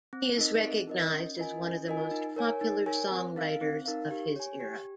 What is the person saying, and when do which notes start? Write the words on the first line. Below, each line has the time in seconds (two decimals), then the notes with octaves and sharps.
He is recognized as one of the most popular songwriters of his era.
0.13 C4
0.37 D#4 A#4 D#5
0.62 C4
0.87 D#4 A#4 D#5
1.12 C#4
1.37 F4 A#4 D#5 G#5
1.62 C#4
1.87 F4 A#4 D#5 G#5
2.11 D#4
2.36 A#4 C#5 G#5
2.61 D#4
2.86 A#4 C#5 G#5
3.11 C4
3.36 D#4 A#4 F5
3.61 C4
3.86 D#4 A#4 F5
4.11 G4
4.36 C#5 G#5
4.60 G4